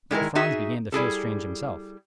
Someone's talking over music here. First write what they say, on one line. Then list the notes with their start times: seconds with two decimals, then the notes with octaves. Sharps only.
Little Franz began to feel strange himself.
0.11 D#3 G#3 E4 A#4
0.35 D#4 F#4 G#4 E5
0.92 G3 E4 G#4 A4